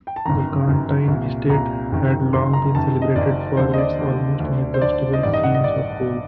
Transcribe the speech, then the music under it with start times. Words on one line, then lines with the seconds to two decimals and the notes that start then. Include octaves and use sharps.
The Carntyne estate had long been celebrated for its almost inexhaustible seams of coal.
0.07 G5
0.16 A5
0.25 G1 F#2 D#3 A#5
0.67 G1 F#2 D#3
1.08 C2 A#2
1.50 C2 A#2 A#5
1.92 F#1 F#2 D#3
2.33 F#1 F#2 D#3 C6
2.53 A#5
2.74 F#1 F#2 D#3 A5
3.02 D#5
3.15 F#1 F#2 D#3 D5
3.57 D#2 D3 C5
3.73 D#5
3.78 D5
3.99 D#2 D3
4.40 D2 D3
4.74 C5
4.82 D2 D3 D5
5.13 D#5
5.23 A1 G2 D#3 D5
5.33 D#5
5.43 F#5
5.54 D#5
5.64 D5